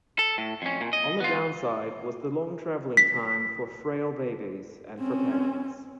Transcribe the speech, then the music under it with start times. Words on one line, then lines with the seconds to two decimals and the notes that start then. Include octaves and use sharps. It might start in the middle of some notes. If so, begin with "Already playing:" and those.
On the downside was the long travelling time for frail babies and for parents.
0.19 A4
0.38 A2
0.62 F2 C#4
0.81 A#2
0.93 D#5
1.20 B3 F4
2.97 B6
5.00 C4 C#4